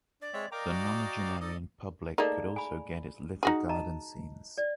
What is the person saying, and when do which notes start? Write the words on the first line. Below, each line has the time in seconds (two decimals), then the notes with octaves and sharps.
The nonagenarian public could also get its little garden scenes.
0.22 D4 D5
0.33 G#3 C4 C#5 E5 G5
0.52 A#4 D5 D#5 F5 G5 A#5 D6
0.67 F#4
1.40 D#4 A4 D5 D#5
2.18 A3 A#3 D#4 G#4 D5 A#5
2.56 G#5 B5
3.43 D#4 F#4 G#4
3.69 D#5 A5 A#5
4.58 D5